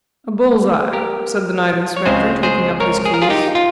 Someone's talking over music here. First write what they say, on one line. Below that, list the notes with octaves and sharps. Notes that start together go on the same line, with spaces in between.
'A bull's-eye,' said the Night-Inspector, taking up his keys.
G4 A#4
C#5
C#2 C#3 G#3 C4 G#4 C5
G#4 C5
A#4 C#5
G#4
A#4
F4 G#4
D#4 G4
F4